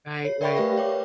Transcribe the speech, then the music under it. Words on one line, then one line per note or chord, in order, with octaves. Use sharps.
Right, right.
C#5 C7
A#4 D5 E5 G5 B5 C#6
A3 G4 B4 D5 F5 A#6
B4 C#5 G5 D6